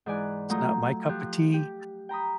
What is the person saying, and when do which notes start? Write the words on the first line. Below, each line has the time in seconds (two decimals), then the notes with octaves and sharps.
It's not my cup of tea
0.06 G#2 E3 D5 G#5 F#6
0.49 F#3 A3 F4 A#5 D#6 G6
1.09 F3 G4 F#6
1.54 G4
2.09 G5 A#5 B5 D#6